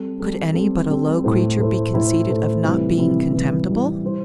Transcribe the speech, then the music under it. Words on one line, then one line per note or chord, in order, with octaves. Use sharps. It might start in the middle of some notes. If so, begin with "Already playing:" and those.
Could any but a low creature be conceited of not being contemptible?
Already playing: G3 C4 A4
G3 C4 A4
G3 C4 A4
G3 C4 A4
A2 A3 E4 C5
A2 A3 E4 C5
A2 A3 E4 C5
A2 A3 E4 C5
C3 E3 G3 E4
C3 E3 G3 E4
C3 E3 G3 E4
C3 E3 G3 E4
G3 E4 C5